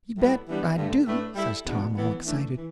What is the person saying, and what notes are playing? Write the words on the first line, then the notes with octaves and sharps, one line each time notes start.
"You bet I do," says Tom, all excited.
A2 G3 B3 E4
E3 G3 B3 D4
G2 D3 A3
A2 A3 D4 B4
G3 E4 A4 E5
E2 B2 B3 D4
A2 E3 B3
E3 A3 D4
E3